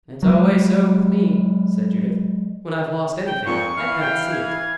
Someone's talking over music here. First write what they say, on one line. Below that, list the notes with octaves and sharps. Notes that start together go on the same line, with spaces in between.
"It's always so with me," said Judith, "when I've lost anything, I can't see it."
F#3 G#3
G5
F2 A#2 C#6
E3 F5
G5
G#6